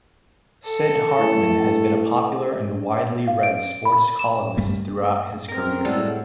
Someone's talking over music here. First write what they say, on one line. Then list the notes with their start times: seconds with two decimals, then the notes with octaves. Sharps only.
Sid Hartman has been a popular and widely read sports columnist throughout his career.
0.66 A4
1.19 A2
3.27 F5
3.43 D7
3.85 B5
4.19 E7
4.57 G2 G3 A3 A#3
5.48 C4 A#4
5.85 A2 G3 G#3 F#4 A4